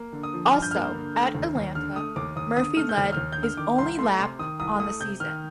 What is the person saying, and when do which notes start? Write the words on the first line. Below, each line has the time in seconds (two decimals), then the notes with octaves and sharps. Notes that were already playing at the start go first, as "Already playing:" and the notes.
Also, at Atlanta, Murphy led his only lap on the season.
Already playing: A#3
0.13 D3
0.23 D#6
0.34 F3
0.53 G2 F6
0.62 G6
0.71 A#3 F6
0.94 D3
1.15 A3
1.35 D#2
1.55 D#2
1.75 D3 F6
1.96 A3 D#6
2.16 D#2 D6
2.36 D#2 D#6
2.56 D3 D#6
2.76 A3 F6
2.89 G6
2.97 D#2 F6
3.12 F6
3.17 D#2
3.32 G6
3.38 D3
3.43 F6
3.57 D#3 D6
3.78 C2 C6
3.98 A3 C6
4.19 C3 C6
4.39 D#3 D#6
4.59 C2 D#6
4.80 A3 D#6
5.00 C3 G6
5.20 D#3 F6